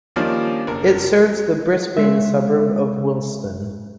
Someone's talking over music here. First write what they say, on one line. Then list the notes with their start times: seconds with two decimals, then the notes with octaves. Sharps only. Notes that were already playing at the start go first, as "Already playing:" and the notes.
It serves the Brisbane suburb of Wilston.
0.16 D#3 F3 G3 A#3 C#4 D4
0.67 F#1 A#4
1.97 G#3 E5